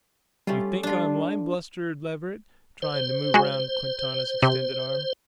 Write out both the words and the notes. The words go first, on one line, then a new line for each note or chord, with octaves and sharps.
"You think I'm lyin'?" blustered Leverett, trying to move around Quintana's extended arm.
G3 A3 C#4 F4 G4
D4 F4
C5
G#3 F#4
C3